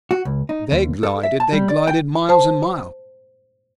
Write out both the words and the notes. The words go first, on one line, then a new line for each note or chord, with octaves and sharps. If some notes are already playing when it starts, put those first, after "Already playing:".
They glided--they glided miles and miles.
F#4
C#2
D#4
D#2
A4
E5
A5
G3
D5
G5
C5 A5